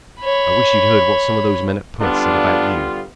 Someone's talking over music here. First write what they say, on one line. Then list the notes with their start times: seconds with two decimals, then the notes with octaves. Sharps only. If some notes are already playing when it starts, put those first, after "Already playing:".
"I wish you'd heard what some of those men at Perth said about you."
0.21 C#5 B5
2.01 D3 G3 B3 D4 F4